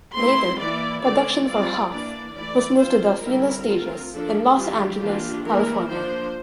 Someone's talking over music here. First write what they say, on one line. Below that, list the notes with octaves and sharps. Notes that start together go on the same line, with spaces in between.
Later, production for "Huff" was moved to Delfino Stages in Los Angeles, California.
A3 C4 E4 C6
E3 A#3 E4 D5
D3 A3 C4 D5
G3 C4 F4 D5
E3 A#3 D4 D5
E3 A3 E4 D5
F3 C4 F4 C5
D3 G3 C4 E4 A#4
D3 A3 C4 F4
F3 A#3 D4 A4
E3 G3 D4 F4 G4
E3 A#3 D4 F4
E3 A#3 E4 A#4
F3 A#3 D4 C5